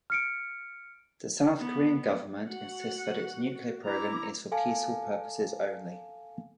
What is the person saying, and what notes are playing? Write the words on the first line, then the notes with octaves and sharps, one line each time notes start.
The South Korean government insists that its nuclear program is for peaceful purposes only.
F6 C#7 D7
B3
F#4 F#5
E4 A#5 D6
A4 F5 G#5 A5